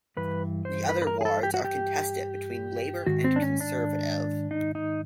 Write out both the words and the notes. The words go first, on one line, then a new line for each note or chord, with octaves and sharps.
The other wards are contested between Labour and Conservative.
G2 E3 B4
C5
B4
B4
A#4
G#4
A4
G4
F#4
G4
G#2 D#3 F#4
C4
D4
C#4
D4
D#4
D#4